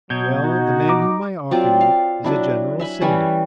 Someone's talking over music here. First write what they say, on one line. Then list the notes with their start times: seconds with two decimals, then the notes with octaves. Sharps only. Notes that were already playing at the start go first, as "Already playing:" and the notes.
"Well, the man whom I offer you is a general syndic."
0.10 B2 F#3 G6 G#6
0.43 D#4 F#4
0.89 A#5 D6
1.51 F#3 C4 F4 D5
1.81 F5
2.24 F#3 D4 E4
2.79 E5 G#5 B5
3.01 E3 G3 C#4